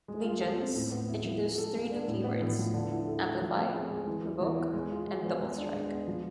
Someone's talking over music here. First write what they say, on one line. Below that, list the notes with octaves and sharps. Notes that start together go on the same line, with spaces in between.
"Legions" introduced three new keywords: amplify, provoke, and double strike.
G#3
F4
A4
C4
A2
B3
E4
F3
G#3
A4
G#3
D4
A2
B3
A2
F3
D3
E4
A4
A3
F3
C4
G#4
G#3
E3
E4
E3
B3
G#3
F4
G#3
B3
G#3
D4
G#3
B3
F3